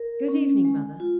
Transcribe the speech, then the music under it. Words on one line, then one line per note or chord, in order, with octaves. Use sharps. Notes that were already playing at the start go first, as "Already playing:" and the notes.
'Good evening, Mother.'
Already playing: A#4
C#4
G#3
F4